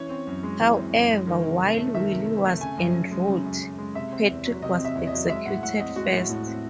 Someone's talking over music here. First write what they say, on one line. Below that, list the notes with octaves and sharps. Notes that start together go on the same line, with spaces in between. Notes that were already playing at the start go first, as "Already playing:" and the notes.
However, while Willie was en route, Patrick was executed first.
Already playing: E3 C#4 C#5
C4
F#2
G#3
E3
C4
F#2
G#3
D#3
C3
C3
A3
D#3 E5
C3
C3
A3
C#3 G#5
F#2
F#2
G#3
C#3
F#2
F#2
G#3
C3 E5
C4
E2
F#3
C3 D#5
C4
E5
E2
D#5
F#3
G#3 E5
A2 F#5
A2 F#5
C4 D#5
G#3 F#4
A2
A2
C4